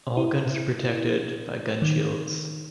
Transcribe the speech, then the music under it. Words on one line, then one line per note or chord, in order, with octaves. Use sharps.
All guns were protected by gun shields.
E4
D#3